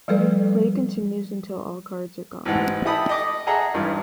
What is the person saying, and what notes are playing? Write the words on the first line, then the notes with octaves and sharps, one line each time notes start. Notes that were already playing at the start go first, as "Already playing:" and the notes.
Play continues until all cards are gone.
F3 G3 A3 A4 B4 D5
A1 G#2 E3 F#5
E4 G4 A4 A5 B5 D#6
D#5 D6 D#6
G#4 A4 D#5 E5 F#5 A#5
G#1 G2 E3 A#4